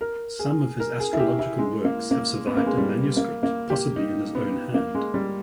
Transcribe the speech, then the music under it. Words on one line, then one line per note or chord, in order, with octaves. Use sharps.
Some of his astrological works have survived in manuscript, possibly in his own hand.
A#4
G#4
A#4
G#4
E4
G4
E4
G#3
A#3
A#3
B3
A#3
G#3
G3
A#3
A#3
G4
D#4
B3
A#3
G#3
G3